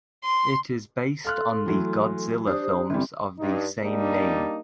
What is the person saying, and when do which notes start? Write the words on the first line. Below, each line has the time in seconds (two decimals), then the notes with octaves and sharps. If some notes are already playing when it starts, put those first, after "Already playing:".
It is based on the Godzilla films of the same name.
0.24 C6
1.25 A4 F5 C6 F6 F#6
1.66 E3 F#3 A3
2.47 D4 G4 C5 D#6
2.90 G1 E3 G3 C4
3.39 G2 D#4
3.82 G3 A#3 D4 D#4